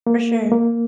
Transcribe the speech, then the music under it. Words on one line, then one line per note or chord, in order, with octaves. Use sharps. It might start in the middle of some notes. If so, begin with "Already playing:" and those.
for sure.
A#3
A#3